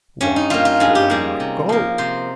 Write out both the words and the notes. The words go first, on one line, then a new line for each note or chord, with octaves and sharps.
"Why should I not go?"
G2 C#4
D#4
G3 A#3 F4
F4
G2 G#4
G4
G3 A#3 G#4
C3
F3 A#3
C3 C5